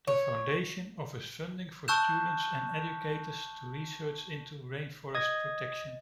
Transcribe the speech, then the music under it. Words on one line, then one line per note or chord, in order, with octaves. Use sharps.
The foundation offers funding for students and educators to research into rainforest protection.
C#5
A5 C#6 E6 F#6 G6 E7
D#5 D#6 G#6 A#6